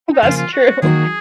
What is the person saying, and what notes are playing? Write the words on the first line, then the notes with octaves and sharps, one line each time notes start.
That's true.
D#4
C#3 F3 A#3 F4
F4
F#4
F#4
D#3 F#3 A#3 D#4 F#4 G#4